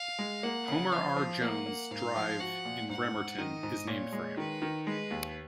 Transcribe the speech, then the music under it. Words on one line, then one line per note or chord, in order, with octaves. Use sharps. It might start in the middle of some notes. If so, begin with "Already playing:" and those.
Homer R. Jones Drive in Bremerton is named for him.
Already playing: F5
G#3
A#3 F#5
C#3
F3 F5
F3
A#3 F#5
A#3
G#2 F5
F3
F#4 F#5
A#2
G#2 F#5
G#2
D#3 D#5
G#2
A#2 C#5
G#3
D#3 B4
D#3
G#3 B4
D#2